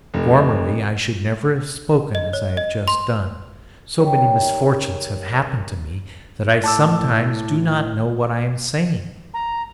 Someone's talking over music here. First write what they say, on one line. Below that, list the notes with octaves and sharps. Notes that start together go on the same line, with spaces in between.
Formerly I should never have spoken as I have just done; so many misfortunes have happened to me, that I sometimes do not know what I am saying.
F1
D#5
C#5
D#5
C6
D#3 G3 G4 C#5
A2 A5 D6 E6
A#5